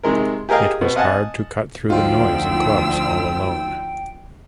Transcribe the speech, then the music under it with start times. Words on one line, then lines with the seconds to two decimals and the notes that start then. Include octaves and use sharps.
It was hard to cut through the noise in clubs all alone.
0.03 C3 D#3 G#3 A#4
0.49 G4 G#4 A#4 D#5 F5 G5
0.81 B2 C4
0.96 D#5 F5 F#5 G#5 A5
1.90 D2 F3 D#4 F4 F#4 C5 G5 E6